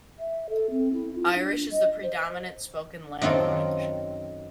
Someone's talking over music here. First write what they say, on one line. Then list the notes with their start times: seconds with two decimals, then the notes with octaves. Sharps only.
Irish is the predominant spoken language.
0.19 E5
0.49 A4
0.70 C4
0.93 E4
1.14 F4
1.34 D4
1.71 D#5
2.03 C5
3.22 F#2 D#3 C4 F4 A4